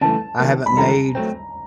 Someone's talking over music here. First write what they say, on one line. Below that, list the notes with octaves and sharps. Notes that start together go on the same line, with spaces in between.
I haven't made
C#3 E3 A3 A5
D#3 F#3 A#3
B5
D#3 G#3 C#4 F4 A4 A#5
F#3 A3 C4